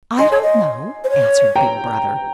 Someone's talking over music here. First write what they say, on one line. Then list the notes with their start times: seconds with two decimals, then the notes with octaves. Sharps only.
"I don't know," answered Big Brother.
0.19 D#5 G#5 C6
0.31 C#5
0.42 D#5
1.04 C5
1.10 C#5
1.56 G5 A#5